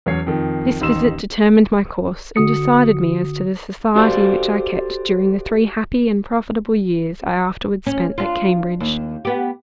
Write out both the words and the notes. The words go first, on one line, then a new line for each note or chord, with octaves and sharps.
This visit determined my course, and decided me as to the society which I kept during the three happy and profitable years I afterwards spent at Cambridge.
E2 F#3 C#4 C#5 C7
F2 D#3
A1 D#2 D#4 C6 E6 E7
D3 F#4 D#6 C#7
F#4 G4 A4 C5 D5 F5
C#4
D4 F4
D#2
B3 G4